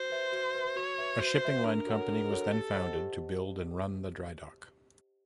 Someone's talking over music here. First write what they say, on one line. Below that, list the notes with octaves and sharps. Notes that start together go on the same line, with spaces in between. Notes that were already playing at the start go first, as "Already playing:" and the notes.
A shipping line company was then founded to build and run the dry dock.
Already playing: F#4 C5
B4 E5
F#4
B4 E5
F#4 C#5
B4 E5
F#4 C5
B4 E5
D4 A#4
F#4 A4 C#5 F#5
D4
F#4 A4 C#5 F#5
G4 A4
C5 D#5 F#5 A5
G4